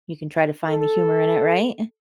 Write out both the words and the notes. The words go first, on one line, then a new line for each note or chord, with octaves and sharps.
you can try to find the humor in it, right?
A4